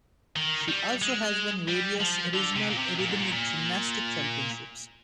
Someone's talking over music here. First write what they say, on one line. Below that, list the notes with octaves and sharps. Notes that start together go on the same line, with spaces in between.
She also has won various regional rhythmic gymnastics championships.
D#3
G3
G#3
G3
F3
D3
C3
A#2
C3
A#2
G#2
A#2
A#2